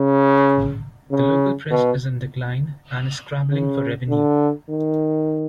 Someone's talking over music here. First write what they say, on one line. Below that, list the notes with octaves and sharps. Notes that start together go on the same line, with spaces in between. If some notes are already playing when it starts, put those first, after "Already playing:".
The local press is in decline, and is scrabbling for revenue.
Already playing: C#3
C#3
B2
C#3
D3
D#3